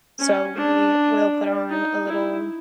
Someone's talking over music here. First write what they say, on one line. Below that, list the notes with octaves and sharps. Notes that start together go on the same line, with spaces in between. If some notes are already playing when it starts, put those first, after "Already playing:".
So, we will put on a little
C#4
D4
D#4
E4